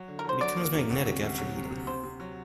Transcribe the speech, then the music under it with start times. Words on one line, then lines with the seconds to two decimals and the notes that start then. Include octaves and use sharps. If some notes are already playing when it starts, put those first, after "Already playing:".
It becomes magnetic after heating.
Already playing: F#3
0.08 D3
0.19 A#4
0.24 F#3 C5
0.41 F#3 D5
0.56 A#3
0.74 F#2
0.90 D2
1.06 C3
1.23 D2
1.38 F#3
1.55 C3
1.71 C3
1.87 C3 C5
2.03 C3
2.20 F#3